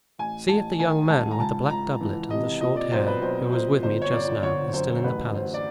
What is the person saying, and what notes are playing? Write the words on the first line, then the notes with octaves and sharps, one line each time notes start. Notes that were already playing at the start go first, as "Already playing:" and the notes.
"See if the young man with the black doublet and the short hair, who was with me just now, is still in the palace."
A1 G#5
A1 A5
D#3 G#5
G#2 A5
A#5
C#2 A5
C#2 A#5
E3
C3 D#5
A#2 D#5
D5
B1 C5
B4
B1 C5
A#2 C5
G1 C5
C#5
G1 D5
D3 C#5
F#2 C5
A1 B4
A1 C5
D5